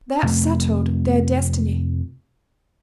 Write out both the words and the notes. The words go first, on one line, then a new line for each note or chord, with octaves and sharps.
That settled their destiny.
F2 C3 A3 B3